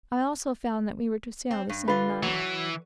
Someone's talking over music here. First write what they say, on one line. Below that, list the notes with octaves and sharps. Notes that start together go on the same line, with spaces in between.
I also found that we were to sail the same night.
C4
G2
D3 F4 B4
E3 F#3